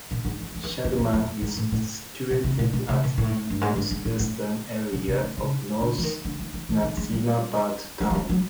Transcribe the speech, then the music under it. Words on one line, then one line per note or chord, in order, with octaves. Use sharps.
Shadman is situated at the northwestern area of North Nazimabad Town.
A#2
G#2
F2
F2
E2
F2
F2
E2
F2
G#2
A2
A2
B2
C3
A#2
B2
C3
B2
A2
G2
G#2
G2
G#2
A2
A2
B2
C3
C3
C#3
D3
E3
D#3
D3
D#3
E3
D#3
D#3
G#3
G3
G#3
F#3
G3
F#3